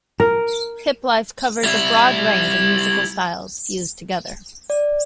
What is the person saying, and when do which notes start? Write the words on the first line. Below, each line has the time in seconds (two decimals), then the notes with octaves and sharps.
Hiplife covers a broad range of musical styles fused together.
0.20 A#4
1.63 G3 E4
4.70 D5